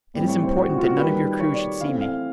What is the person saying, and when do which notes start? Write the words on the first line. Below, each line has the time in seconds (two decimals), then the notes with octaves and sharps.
"It is important that none of your crew should see me."
0.14 A2 E3 G3 C4
0.28 C#5
0.42 C5
0.56 F#4
0.69 F#4
0.78 F4
0.84 F#4
0.97 D#3 G3 A#3 B4
1.39 C#5
1.53 D5
1.80 E3 A3 C4 F5
2.01 F5